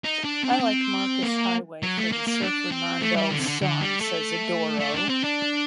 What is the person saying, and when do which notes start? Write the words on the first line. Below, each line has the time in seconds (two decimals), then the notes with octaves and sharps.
I like Markus Highway for the Surfernando song, says Adoro.
0.04 D#4
0.24 D4
0.44 C4
0.52 D4
0.60 C4
1.23 A#3
1.83 F#3
1.98 A3
2.12 A#3
2.28 A#3
2.42 D4
2.72 C4
3.01 A3
3.16 G3
3.31 D3
3.39 C3
3.46 D3
3.61 D3
3.81 G3
4.00 A3
4.80 A3
4.95 D4
5.09 C4
5.24 D4